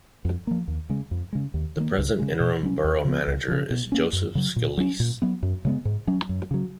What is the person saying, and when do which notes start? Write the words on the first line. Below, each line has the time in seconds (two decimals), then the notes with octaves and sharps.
The present interim Borough manager is Joseph Scalise.
0.25 F2
0.47 F3 A#3
0.68 D#2
0.90 C#3 G#3
1.11 F2
1.33 C#3 G#3
1.54 D#2
1.76 D#3 A#3
1.98 C#2
2.19 C#3 G#3
2.40 B2
2.63 F#3 C#4
2.84 D#2
3.05 C#3 F3 B3
3.27 C#2
3.48 C#3 F3
3.71 B2
3.92 A#3 C#4
4.13 F#2
4.35 C#3 F#3
4.56 A#2
4.77 F#3 C#4
5.00 A#2
5.22 F#3 B3
5.43 F#2
5.65 C#3 G#3 B3
5.85 G#2
6.07 F#3 C#4
6.29 F#2
6.51 C#3 F#3